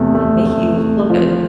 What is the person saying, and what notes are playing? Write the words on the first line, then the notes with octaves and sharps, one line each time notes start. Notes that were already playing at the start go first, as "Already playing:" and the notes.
and make you feel good.
Already playing: E2 C3 A3
A3
A3
A3
F3